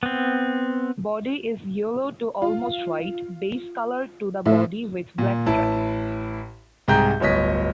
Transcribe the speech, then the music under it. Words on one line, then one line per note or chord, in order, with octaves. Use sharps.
Body is yellow to almost white base colour to the body with black stripes.
B3 C4
F4
A2 E5
A#2
A1 E4 A5
C2 G#2 G#4 G5 A#5 G6
D1 G1 C#5 D#5 B6